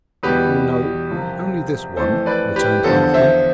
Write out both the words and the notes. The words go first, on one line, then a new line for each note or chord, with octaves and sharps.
'No, only this one,' returned Halfman.
E2 B2 G3 G4 B4
C2 C3 F3
F2 E3 A3 A4 C5
B4 D5
G4 B4
E2 D3 F3 A4 C5
C5 E5